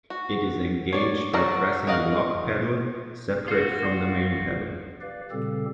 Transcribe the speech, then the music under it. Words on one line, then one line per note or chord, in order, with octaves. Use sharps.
It is engaged by pressing a lock pedal separate from the main pedal.
F#4
C#5 D5
F#3 D5 A#5
F#4 A#4 D#5 F5 F#5
F4 F#4
G4 B4 D5 F5
A#2 C#3 G3 C4 G4 A4